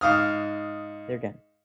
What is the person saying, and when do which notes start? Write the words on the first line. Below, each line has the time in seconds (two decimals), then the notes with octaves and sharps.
They're done,
0.01 G#2 F5 D#6 F6